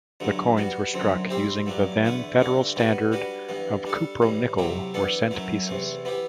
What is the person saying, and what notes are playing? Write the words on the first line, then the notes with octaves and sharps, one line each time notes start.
The coins were struck using the then Federal standard of cupronickel for cent pieces.
G2 D3 F#3 A3
G3 B3 F#4
F#2 D3 F#3 C4
G3 C4 E4 G4 C5
G2 F#3 A3 D4
E2 D3 A3 E4 B4
G2 D3 A3 D4
G3 B3 F#4 B4
G3 D4 F#4 B4
G2 E3 B3
G3 D4 A4
A2 E3 G3
C3 F#3 A3 E4 G4
E3 B3 D4 A4
F#2 F#3 A3 E4
E2 C3 E3 A3
E3 B3 E4 G4